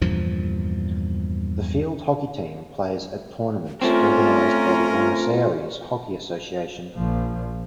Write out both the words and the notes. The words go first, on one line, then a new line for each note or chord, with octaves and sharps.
The field hockey team plays at tournaments organised by the Buenos Aires Hockey Association.
E2 G2 A#2 F3
A3 C4 C#4 F4 A#4
A#1 F3